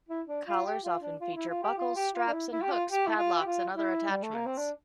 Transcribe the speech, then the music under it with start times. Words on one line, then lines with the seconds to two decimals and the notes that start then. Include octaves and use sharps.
Collars often feature buckles, straps and hooks, padlocks and other attachments.
0.09 E4
0.28 D4
0.47 F4
0.65 G4
0.84 F4
1.02 D4
1.21 F4
1.35 E4
1.49 F4
1.63 G4
1.78 F4
1.96 G4
2.14 F4
2.28 D4
2.33 E4
2.52 E4
2.62 G4
2.71 F4
2.90 G4
3.07 E4
3.18 F4
3.41 G4
3.46 F4
3.74 E4
4.10 G3
4.23 A3
4.34 A#3
4.46 C4
4.58 D4